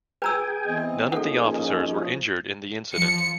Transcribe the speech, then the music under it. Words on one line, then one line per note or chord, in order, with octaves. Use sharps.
None of the officers were injured in the incident.
G#4 B4 G5 G#5 A#5 E6
E3 B3 C4 D#5
F3 A#3 C#4 D#4 G#4 A4 F#5
F3 C#7